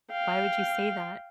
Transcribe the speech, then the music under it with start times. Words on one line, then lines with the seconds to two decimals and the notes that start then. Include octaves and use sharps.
Why would you say that?"
0.11 F5 G5